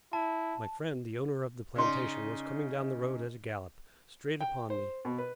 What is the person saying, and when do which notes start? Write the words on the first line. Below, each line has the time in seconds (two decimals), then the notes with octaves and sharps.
My friend the owner of the plantation was coming down the road at a gallop, straight upon me.
0.13 E4 A5
1.76 C#3 D#4 D5 C6
4.41 G5
4.70 C5
5.05 B2
5.18 B4